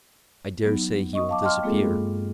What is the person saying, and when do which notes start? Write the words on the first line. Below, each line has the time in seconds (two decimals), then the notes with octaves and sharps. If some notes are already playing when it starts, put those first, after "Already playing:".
I daresay he will disappear.
0.64 F#3 B3 D#4
1.13 D#5 C#6 D#6
1.29 F5 A5 D6
1.42 D#5 G5 A5 C6 F6
1.63 G#3 A#3 C4 F4 G#4 A4
1.83 G2